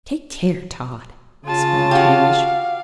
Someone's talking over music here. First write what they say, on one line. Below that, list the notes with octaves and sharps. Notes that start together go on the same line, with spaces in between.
"Take care, Tod!" exclaimed Hamish.
C#3 F4 A5
F#4 G4 F5